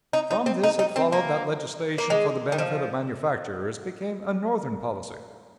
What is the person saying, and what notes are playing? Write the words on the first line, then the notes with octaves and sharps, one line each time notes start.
From this it followed that legislation for the benefit of manufacturers became a Northern policy.
D#4
D#4
C4
D#4
D#4
C4
A#3
A#3
G#3
D#3
F3